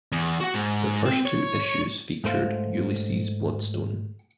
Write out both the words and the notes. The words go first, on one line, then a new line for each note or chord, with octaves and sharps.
The first two issues featured Ulysses Bloodstone.
E2
F#4 F#5
G#2
C4
C#5
G#2 A3 C5 F5